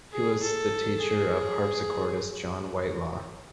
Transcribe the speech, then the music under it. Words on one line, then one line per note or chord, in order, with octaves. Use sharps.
He was the teacher of harpsichordist John Whitelaw.
G#4
A4
G#4